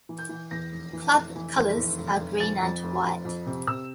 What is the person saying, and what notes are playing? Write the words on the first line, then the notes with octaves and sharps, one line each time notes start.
Club colours are green and white.
E3
G6
E3
E2 A#6
F1
E3
F1
E3
F1
E2
F1
F1
F2 A6
F2
F1
F2
F2
C3
C3 E6